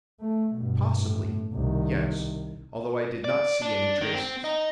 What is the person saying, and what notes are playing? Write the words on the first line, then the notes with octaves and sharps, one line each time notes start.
"Possibly, yes, although I did not see any traces."
A3
G2 B2
A2
C2 D#3
D5
D4
D#3
C4
D#4